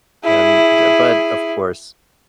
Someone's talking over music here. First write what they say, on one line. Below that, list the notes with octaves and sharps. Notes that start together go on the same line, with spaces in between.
and j but, of course,
E4 G#4